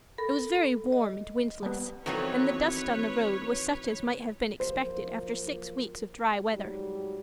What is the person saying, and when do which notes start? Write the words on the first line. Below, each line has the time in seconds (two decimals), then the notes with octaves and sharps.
It was very warm and windless, and the dust on the road was such as might have been expected after six weeks of dry weather.
0.18 A4 A#4 B5
0.92 D#5
1.63 G3 B3
2.06 F2 D#3 E3 F#3 B3 F#4 B4 C#5
4.60 F3 F#3 A#3 C5
6.52 G#2 F#3 G3